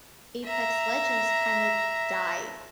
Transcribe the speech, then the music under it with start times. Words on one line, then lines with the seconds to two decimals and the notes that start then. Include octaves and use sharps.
Apex Legends, kinda, died
0.44 E5 A#5